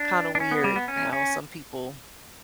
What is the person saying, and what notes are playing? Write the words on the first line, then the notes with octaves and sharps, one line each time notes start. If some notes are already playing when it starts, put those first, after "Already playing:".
kinda weird how some people
Already playing: D4
D4
C#4
B3
G3
B3
C#4
C#4